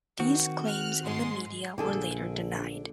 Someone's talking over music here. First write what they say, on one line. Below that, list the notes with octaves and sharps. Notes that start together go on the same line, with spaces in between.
These claims in the media were later denied.
D#3 C4 F#4
F6 F#6
G#2 G#3 C6
A#1 D3 G#4 A4